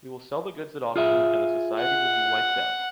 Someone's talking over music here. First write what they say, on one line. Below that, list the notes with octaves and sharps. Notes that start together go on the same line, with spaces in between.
We will sell the goods at auction, and the society will be wiped out!
F4 G#4 E5
F#5